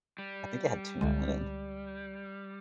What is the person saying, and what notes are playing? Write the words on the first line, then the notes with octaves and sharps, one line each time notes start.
I think it had tuna in it.
G3
C#2 D3 G#3